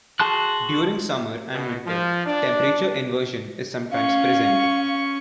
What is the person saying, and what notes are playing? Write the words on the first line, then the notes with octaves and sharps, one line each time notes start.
During summer and winter temperature inversion is sometimes present.
F#4 G#4 A5 C6 F#6
B2
F3
D4
C#4 F5 C#6